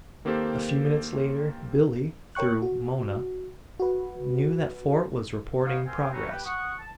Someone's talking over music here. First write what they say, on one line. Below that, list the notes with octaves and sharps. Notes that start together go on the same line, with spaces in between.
A few minutes later Billie, through Mona, knew that Fort was reporting progress.
D#3 A#3 C4 G4 A4 C5
A#4 C#5 G5 C#6 F#6
F#4
F#4 B4
B3 D#4 C#5 F5
C4 G4 A#4 F5 G5 G#5
F#3 G3 A3 C#4 F#4
G4 B4
F#5 C#6 D#6
A5